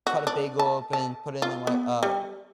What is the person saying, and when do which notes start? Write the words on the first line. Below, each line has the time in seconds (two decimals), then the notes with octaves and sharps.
cut a bagel open, put it in my, uh,
0.07 F#4
0.27 D4
0.59 A5
0.93 A5
1.42 F4
1.67 B3
2.03 G3